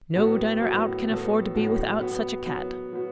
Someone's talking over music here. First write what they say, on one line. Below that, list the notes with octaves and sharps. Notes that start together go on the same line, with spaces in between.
No diner-out can afford to be without such a cat.
A2 F#3 B3 F#4 A4
A2 F#3 B3 F#4 A4
A2 F#3 B3 F#4 A4
A2 F#3 B3 F#4 A4
F#3 B3 F#4
F#3 B3 F#4
F#3 B3 F#4